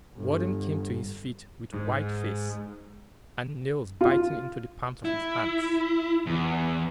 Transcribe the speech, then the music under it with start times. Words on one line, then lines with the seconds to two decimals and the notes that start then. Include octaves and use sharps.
The warden came to his feet with white face, and nails biting into the palms of his hands.
0.16 G1
1.74 G#2
4.01 F4
5.05 E4
6.26 E2